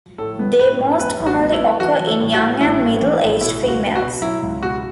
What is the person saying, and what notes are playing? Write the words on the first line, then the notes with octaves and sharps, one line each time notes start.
They most commonly occur in young and middle aged females.
A2 A4
B3
A2 B4
A2
B3 B4
A1
F#4
B3
E4
B3
E3 F#4
E3
A4
A2
F#4
A2
A1 E4
A2
E3
A1
B2 E4
C#2
F#4
B3
F#4
B2
F#3 E4
C#2
B2 F#4